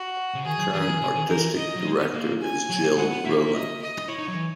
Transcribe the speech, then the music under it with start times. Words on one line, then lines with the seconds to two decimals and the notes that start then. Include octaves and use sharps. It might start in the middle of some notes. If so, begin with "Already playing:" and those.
Current Artistic Director is Gil Roman.
Already playing: F#4
0.34 C#3
0.45 D#3 G#4
0.59 F#3
0.72 E3 G#4
0.87 E3
1.01 C#3
1.15 D#3
1.29 E3 A#4
1.57 D#5
1.76 F#3
1.84 G#3
2.00 B3
2.14 A#3
2.41 G#5
2.69 F#3
2.83 A#3
2.97 G#3 F#5
3.11 B3
3.25 A#3 E5
3.54 D#5
3.82 D#5
4.09 E4 C#5
4.18 D#4
4.28 F#3
4.35 E3